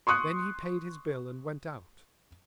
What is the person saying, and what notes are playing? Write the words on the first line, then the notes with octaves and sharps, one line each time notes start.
Then he paid his bill and went out.
C6 C#6 D#6 F#6 C#7